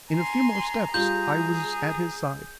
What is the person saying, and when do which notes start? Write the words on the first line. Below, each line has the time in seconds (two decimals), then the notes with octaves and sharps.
In a few more steps I was at his side.
0.11 G#5 A#5 C6
0.94 G3 F4 G#4 G6